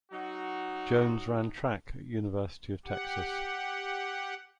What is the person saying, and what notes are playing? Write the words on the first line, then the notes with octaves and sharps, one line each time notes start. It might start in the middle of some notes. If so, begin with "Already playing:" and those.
Jones ran track at University of Texas.
F#3 D#4 F#4
G4 F#5